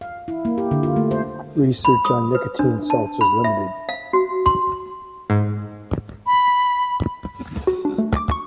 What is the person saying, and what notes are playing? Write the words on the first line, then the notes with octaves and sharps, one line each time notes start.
Research on nicotine salts is limited.
F5
E4
A#3
G4
D3
F4
A3
C5
B5
D#6
B4
D4
A5
B5
E5
F5
F#4
C6
G#2
B5
F#4
D4
A3
D6
C#6